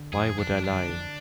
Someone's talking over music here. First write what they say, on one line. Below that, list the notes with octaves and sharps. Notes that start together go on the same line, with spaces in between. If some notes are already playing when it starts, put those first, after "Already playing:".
Why Would I Lie?
Already playing: D3
F2 G#4
F2
D4
F3
D4
D3
F2